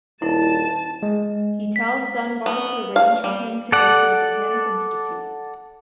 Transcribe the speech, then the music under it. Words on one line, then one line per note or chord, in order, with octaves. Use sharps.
He tells Dunbar to arrange for him to go to the Botanic Institute.
D#1 E4 A5
G#3
B6
B3
F5
G3
A4 D5 F#5